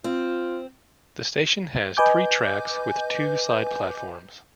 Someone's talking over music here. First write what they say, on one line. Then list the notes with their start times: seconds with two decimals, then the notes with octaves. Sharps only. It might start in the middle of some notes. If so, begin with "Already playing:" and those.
The station has three tracks with two side platforms.
0.04 C4 F4
1.97 B4 D#5 G#5 D6 G6